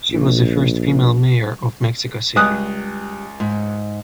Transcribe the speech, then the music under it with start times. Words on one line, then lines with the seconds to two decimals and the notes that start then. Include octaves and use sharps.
She was the first female Mayor of Mexico City.
0.11 A#1
2.36 C#2 G3 D#6 F#6
3.40 G#2